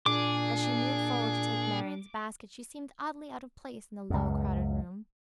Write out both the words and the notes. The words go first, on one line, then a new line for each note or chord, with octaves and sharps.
As she moved forward to take Marian's basket, she seemed oddly out of place in the low, crowded room.
A#2 D4 G#4 D6
C#2 F#2